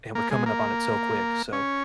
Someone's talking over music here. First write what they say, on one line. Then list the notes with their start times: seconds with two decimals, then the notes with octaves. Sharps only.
and we're coming up on it so quick, so,
0.15 A#3
0.31 G#3
0.46 A#3
1.53 C#4